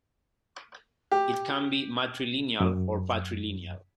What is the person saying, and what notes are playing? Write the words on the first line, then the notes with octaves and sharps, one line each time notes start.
It can be matrilineal or patrilineal.
G4
F#2